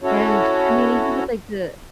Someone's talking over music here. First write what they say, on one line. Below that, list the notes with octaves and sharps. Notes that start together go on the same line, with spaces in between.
And, I mean, even with, like, the
C#4 E4 F#4 A4 C#5